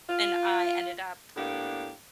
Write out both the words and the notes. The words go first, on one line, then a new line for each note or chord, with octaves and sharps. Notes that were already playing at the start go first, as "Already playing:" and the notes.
and I ended up
F4
A2 A#3 B3 D4 G4